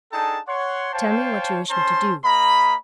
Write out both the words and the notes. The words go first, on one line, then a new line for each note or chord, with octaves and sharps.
Tell me what you wish me to do.
D4 D#4 G#4 A4 G5 A5
C#5 F#5 C6
C5 C#5 F5 G5 A5
C#4 C5 A5 C6
A#3 D#5 A#5 B5